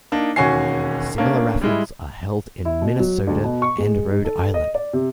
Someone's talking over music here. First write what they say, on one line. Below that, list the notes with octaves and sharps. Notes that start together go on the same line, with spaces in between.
Similar raffles are held in Minnesota and Rhode Island.
A#3 D4 D#4
E1 D#2 C#4 F#4 G#5 C7
A3 A#3 C#4 D4
G3 G#3 E4
E4
B2
F#3
D2
B2
C#6
G#3
D#4
A4
D#5
D5
C3